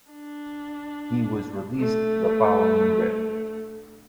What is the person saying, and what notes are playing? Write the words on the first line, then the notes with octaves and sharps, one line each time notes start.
He was released the following day.
D4
A3